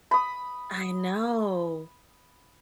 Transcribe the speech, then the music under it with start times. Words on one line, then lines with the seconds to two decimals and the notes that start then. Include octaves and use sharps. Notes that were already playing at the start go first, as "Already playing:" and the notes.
I know.
0.11 B5 D#6